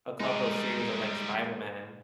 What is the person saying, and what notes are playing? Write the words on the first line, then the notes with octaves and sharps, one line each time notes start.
a couple series of like Spider-Man.
G3 G#3 D#4